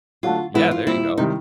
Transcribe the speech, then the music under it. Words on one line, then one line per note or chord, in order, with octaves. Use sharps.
Yeah, there you go.
D3 F#3 A3 D4 F4
G#2 E3 G#3 B3 E4
F4
A#2 G3 C4 E4
C3 D#3 G3 D#4